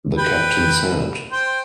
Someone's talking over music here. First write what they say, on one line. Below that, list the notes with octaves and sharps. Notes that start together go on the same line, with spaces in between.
The Captain said.
B4 G5
C5 G5